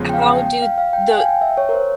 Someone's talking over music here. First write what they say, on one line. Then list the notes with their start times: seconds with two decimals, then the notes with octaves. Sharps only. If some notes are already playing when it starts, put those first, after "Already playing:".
how do the
Already playing: E2 C#3 F3 G#3
0.09 G5
0.14 F5
0.46 G5
0.62 F5
0.78 F5
0.93 G5
1.10 G#5
1.18 F5
1.25 G5
1.41 E5
1.57 C#5
1.69 A#4
1.73 C5